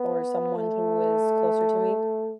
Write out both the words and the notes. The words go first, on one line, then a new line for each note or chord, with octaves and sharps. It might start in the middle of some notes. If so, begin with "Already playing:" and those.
or someone who is closer to me,
Already playing: B3
A3